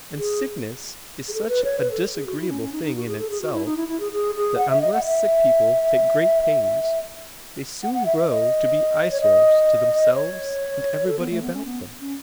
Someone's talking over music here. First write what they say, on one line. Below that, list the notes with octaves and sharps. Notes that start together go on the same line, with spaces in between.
And sickness is such a disagreeable thing in itself, that unless sick people take great pains, they soon grow to be eyesores to themselves and everybody about them.
G#4
G#4
A4
B4
C#5
B4
A4
G#4
F#4
E4
C#4
C#4
D#4
D#4
F#4
G#4
A4
G#4
F#4
E4
D#4
E4
E4
G#4
G#4
G#4
F#5
E5
D#5
F#5
E5
F#5
F#5
E5
E5
D#5
C#5
D#5
C#5
A4
B3
A3
B3
C#4
B3
C#4